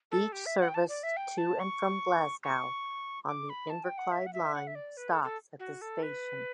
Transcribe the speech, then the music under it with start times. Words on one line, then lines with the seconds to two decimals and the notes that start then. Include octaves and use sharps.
Each service to and from Glasgow on the Inverclyde Line stops at this station.
0.11 A4
0.32 G4
0.46 E5
0.60 F#5
0.68 G5
0.74 A5
0.88 D5
1.03 E5
1.17 G5
1.38 A5
1.59 C#6
2.44 C#6
3.27 D6
3.49 B5
3.70 A5
3.84 G5
3.98 F#5
4.12 E5
4.26 F#5
4.33 E5
4.54 F#5
4.67 E5
4.75 D5
4.97 B4
5.10 A4
5.24 A4
5.59 F#4
5.81 A4
6.02 B4